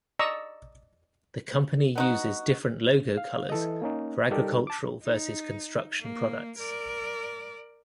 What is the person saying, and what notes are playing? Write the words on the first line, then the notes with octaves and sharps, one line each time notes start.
The company uses different logo colors for agricultural versus construction products.
D5 D#5 A#5 C#6 E6
B3 D#4 F#4
F5
E3 A4 D#5
A#3 C#4 D#4
G3 D#4 G4 A4 A#4 D5
A5 D6
D#4
A#3
A#4 D5